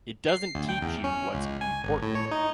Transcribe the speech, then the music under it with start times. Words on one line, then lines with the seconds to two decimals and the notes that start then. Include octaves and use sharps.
It doesn't teach you what's important.
0.28 C7
0.55 D2
0.69 G5
0.81 E2
1.04 C#4
1.34 C#2
1.61 G#5
1.84 G#1
2.03 A2
2.15 C#5
2.31 D#4